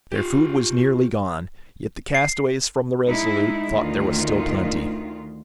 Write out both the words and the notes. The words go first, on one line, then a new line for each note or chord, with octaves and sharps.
Their food was nearly gone, yet the castaways from the RESOLUTE thought there was still plenty.
F4 G4
C7
G#3 D#4 E4
D2 D#3 F4